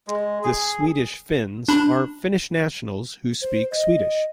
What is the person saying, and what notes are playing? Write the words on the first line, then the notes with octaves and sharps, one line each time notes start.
The Swedish-Finns are Finnish nationals who speak Swedish.
G#3
G#4
D4 B5
C5
D#5